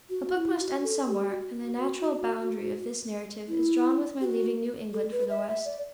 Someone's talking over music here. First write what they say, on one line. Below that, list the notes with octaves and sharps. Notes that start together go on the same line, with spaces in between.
A book must end somewhere, and the natural boundary of this narrative is drawn with my leaving New England for the West.
F#4
E4
F#4
A4
G4
F#4
E4
G4
F#4
A4
B4
E5
E5
D5